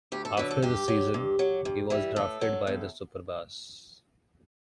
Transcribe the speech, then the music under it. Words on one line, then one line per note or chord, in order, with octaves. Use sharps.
After the season, he was drafted by the Superbas.
D2 G4
A4
D3 F#3 B4
A4
G2 G4
F#3
G2
F#3
G2
E3 G3
A2 A4
F#3
E2